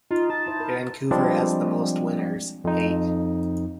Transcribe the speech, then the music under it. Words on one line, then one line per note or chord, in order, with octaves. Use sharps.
Vancouver has the most winners, eight.
D#4 F4
A5
E4 C5
A#4
F3 G3 G#3 C4 D4 D5
F2 D#4